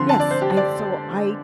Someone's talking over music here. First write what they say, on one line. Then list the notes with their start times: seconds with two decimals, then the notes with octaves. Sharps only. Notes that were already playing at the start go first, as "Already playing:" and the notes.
Yes, I so, I
Already playing: D3 F3 C4 C6
0.09 A5
0.20 D5
0.31 C5
0.41 G4
0.57 D5